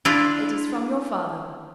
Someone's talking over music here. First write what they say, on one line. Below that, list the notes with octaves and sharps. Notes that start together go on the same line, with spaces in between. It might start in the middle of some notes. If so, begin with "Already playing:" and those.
"It is from your father."
D4 E4 F4